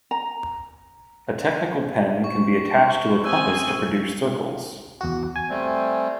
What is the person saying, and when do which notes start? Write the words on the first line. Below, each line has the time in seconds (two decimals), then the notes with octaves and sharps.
A technical pen can be attached to a compass to produce circles.
0.11 A#5
2.24 C#6
3.24 C4 G#5 D#6 E6
5.01 E2 F#4
5.36 G#5
5.50 G3 A3 C4